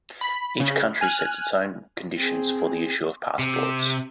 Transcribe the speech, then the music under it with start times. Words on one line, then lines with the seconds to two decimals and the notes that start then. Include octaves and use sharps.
Each country sets its own conditions for the issue of passports.
0.21 B5
0.60 C#3
1.01 G#5 F6 F#6
2.17 C4 G#4
3.39 C3